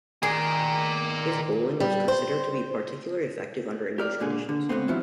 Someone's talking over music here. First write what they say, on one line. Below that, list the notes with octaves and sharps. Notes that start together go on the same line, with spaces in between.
His bowling was considered to be particularly effective under English conditions.
D#3 G#4 A#4 D5
G3
C5
G4 A#4 D5
C#2 A#2 D3 G#4
D3
C#2 A#2 A3 B3 C4
E2 B2 F3 F#3 E4